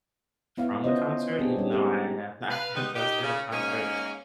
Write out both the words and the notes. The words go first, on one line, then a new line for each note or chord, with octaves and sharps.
from the concert, even though I have not been to a single concert
B3 E4 C#5 F5
B3 C#4 F4 C5 D#5
B3 C4 D4 G4 G#4
G3 C#4 D#4
C#4 G4 A#4 C#5
B4 F5
D#3 G3 G#3 B3 D#4 B4
D#4 G4
C#3
G#2 A#3 C#4